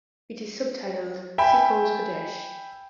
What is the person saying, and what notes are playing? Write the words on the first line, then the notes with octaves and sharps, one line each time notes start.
It is subtitled "Sichos Kodesh".
E5 G5 G#5 B5